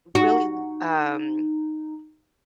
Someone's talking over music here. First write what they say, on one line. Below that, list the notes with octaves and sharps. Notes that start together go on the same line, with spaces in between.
really l um,
D#4 F#4